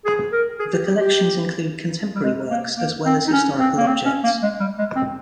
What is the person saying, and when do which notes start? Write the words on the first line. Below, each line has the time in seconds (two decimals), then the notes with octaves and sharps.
The collections include contemporary works as well as historical objects.
0.05 G#4
0.32 A#4
0.59 G#4
0.73 G4
0.87 G4
1.00 G4
2.15 G3
2.23 G#3
2.50 A#3
2.78 A#3
3.06 C4
3.27 D#4
3.32 C#4
3.60 C4
3.77 A#3
3.87 C4
4.05 C#4
4.24 A#3
4.42 G#3
4.60 G3
4.78 G#3
4.96 C4